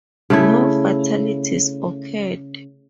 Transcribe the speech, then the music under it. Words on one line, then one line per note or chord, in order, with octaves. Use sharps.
No fatalities occurred.
C#3 A3 E4